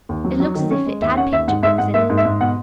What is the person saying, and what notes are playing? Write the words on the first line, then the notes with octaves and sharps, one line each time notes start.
"It looks as if it had picture-books in it."
D#2
F#3
F#3
D#3
C#4
G#3
D#2 E5
C#4 F#5
D#2 E5
G#2 F#5
G#2 E5
G#2 F#5
A#3 E5
G#2
E5
G#2
B2 F#5